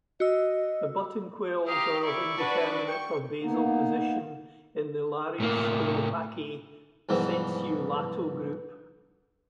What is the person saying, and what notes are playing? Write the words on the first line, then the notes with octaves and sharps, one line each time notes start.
The buttonquails are of indeterminate or basal position in the Lari-Scolopaci "sensu lato" group.
F#4 D#5 E6
G4 F5 A#5 D#6
E4 D5 C#6
D4 F#4 B4 A5
G5 C#6
A#3 B3 D#4
A2 A#3
C2 G#2 B2 E3 F3 B3